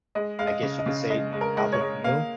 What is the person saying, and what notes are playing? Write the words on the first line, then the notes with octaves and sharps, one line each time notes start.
I guess you could say, named Albert Camus
G#3 D#5
G#3 F5
D#5
C#3
D#5
C#3
G#3 D#5
G#3
A#4
G#3
C#5
G#3
A#3 F5